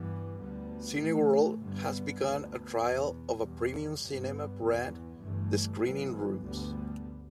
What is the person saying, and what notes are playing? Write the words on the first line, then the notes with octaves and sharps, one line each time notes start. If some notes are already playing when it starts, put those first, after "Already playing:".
Cineworld has begun a trial of a premium cinema brand, The Screening Rooms.
Already playing: G2 E3 G3 B3
D2 D3 G3 B3
A1 A2 E3 A3
G1 G2 D3 G3 B3
D2 D3 B3
E2 B2 B3
E2 B2 G3
G1 G2 G3 B3
E2 E3 B3
G1 G2 E3 A3
G1 G2 E3 B3
D2 D3 G3 B3